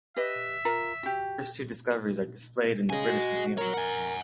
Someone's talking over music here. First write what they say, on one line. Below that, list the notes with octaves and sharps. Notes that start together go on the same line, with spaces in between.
The first two discovered are displayed in the British Museum.
G4 B4 D#5 E5
F4 A#4 A#5
F#4 G4
C#3 D#5 G#5
F#4
F#4 A#4 C#5
F#5 G#5